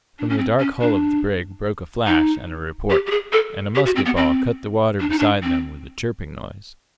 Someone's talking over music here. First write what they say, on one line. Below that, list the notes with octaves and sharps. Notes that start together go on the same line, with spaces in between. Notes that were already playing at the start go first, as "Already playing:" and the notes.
From the dark hull of the brig broke a flash and a report, and a musket ball cut the water beside them with a chirping noise.
D4
C#4
C4
C#4
D4
D#4
G4
G4
G#4
A4
G4
F#4
C4
B3
C4
D4
D#4
D4
C4